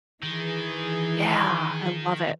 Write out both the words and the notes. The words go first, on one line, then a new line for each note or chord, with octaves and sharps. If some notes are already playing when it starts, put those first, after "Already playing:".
yeah. I love it.
D#3 E3 G#4